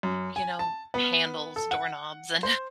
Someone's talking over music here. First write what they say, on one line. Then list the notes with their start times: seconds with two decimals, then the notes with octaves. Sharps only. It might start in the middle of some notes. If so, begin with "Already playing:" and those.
you know, handles, doorknobs, and
0.03 F#2
0.36 G#5
0.59 A5
0.94 B3
1.56 A4
1.71 F#5
2.43 C5